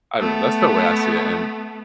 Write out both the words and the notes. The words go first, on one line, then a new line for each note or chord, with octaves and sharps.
I don't know, that's the way I see it and
A3 B3